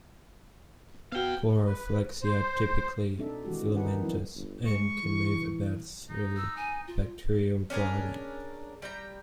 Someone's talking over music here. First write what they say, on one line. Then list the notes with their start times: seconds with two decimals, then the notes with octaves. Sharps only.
Chloroflexia are typically filamentous, and can move about through bacterial gliding.
1.12 B3 F#4 F5 G5
1.66 B4
2.22 C5
3.18 B2 C4 D4 D#4 A4 E5
3.45 D#3 E3 G#3 F#4 G4
3.64 C#4 D4
3.76 D#3 D#4 B4 F#5
4.00 E3 F3 G3 C4 E4
4.36 G1
4.67 G#3 C#6
5.03 E3
6.10 D#4
6.36 E6
6.57 G#5
6.87 F4
7.70 C#4 D4 G#4 A#4
8.82 G3 G5 A#5